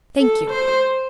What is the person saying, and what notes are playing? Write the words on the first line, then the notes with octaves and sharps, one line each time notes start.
"Thank you."
A4
C5